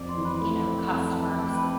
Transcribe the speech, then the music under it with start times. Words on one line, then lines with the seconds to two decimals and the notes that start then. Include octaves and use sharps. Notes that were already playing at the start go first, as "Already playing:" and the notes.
you know, customer s
Already playing: F2 D5
0.09 C5
0.17 E3
0.25 B4
0.41 A3 E4
0.66 C4
0.74 G4
0.90 F2 A4
1.07 B4
1.14 E3
1.22 A4
1.30 G4
1.39 A3 A4
1.54 B4
1.63 C4